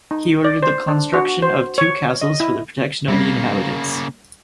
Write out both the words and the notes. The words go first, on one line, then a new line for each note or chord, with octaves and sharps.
He ordered the construction of two castles for the protection of the inhabitants.
D#4
D5
C5
D4
F#4
C5
C#5
D#5
E4
C#3 G3 A#3 C#4